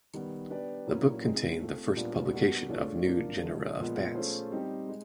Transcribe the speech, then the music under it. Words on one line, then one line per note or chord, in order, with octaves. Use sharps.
The book contained the first publication of new genera of bats.
D#3 G3 B3
B3 D4 G4 B4 D5
A#2 F#3 A#3 C#4 E4
G#3 C4 D#4 G#4
A3 C4 F4
A#2 G3 B3 D4 F4
G3 B3 D4 F#4 A#4
A3 D4 F4 G#4 C#5
A#3 D4 F4
D3 F3 G#3
A#2 F3 G#3 B3
A3 C#4 F4 G#4 C5
G3 C4 D#4 G4
G#3